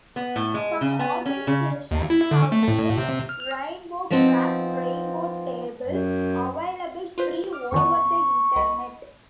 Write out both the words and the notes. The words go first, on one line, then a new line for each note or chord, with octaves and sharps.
Some organizations have made RainbowCrack's rainbow tables available free over the internet.
B3
A2
G#3
C#3
B3
C#4
C#3
D#2
E4
D3
A3
A2
C3
F6
F3 B3 C4 D#4
F#2
F4 B4 C5
D6 F6
F2 D#3 B3 C#6
C2 D#5 B5